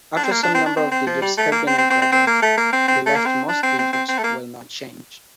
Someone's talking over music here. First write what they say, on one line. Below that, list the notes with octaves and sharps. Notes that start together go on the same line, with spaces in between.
After some number of digits have been encoded, the leftmost digits will not change.
D4
C4
A#3
D4
C4
D4
C4
C4
F3
G3
A3
A#3
C4
C4
C4
C4
C4
A#3
A3
A#3
C4
C4
A3
A#3
C4
D4
C4
C4
C4
C4
A3
A#3